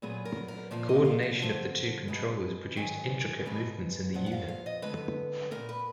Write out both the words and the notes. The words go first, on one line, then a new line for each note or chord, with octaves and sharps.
Coordination of the two controllers produced intricate movements in the unit.
A#2 F#3 B3 G#4
A#4
A#4
A#2 F3 A#3 D5
D#5
F5
F#5
D3 F3 A#3
B2 G#3 B3
D#3 F#3 B3 G#5
B2 G#3 B3
A#2 F3 B3 F#5
F#5
F5
F5
D#5
D3 G#3 B3 B4
A#2 F#3 B3 A#4
B4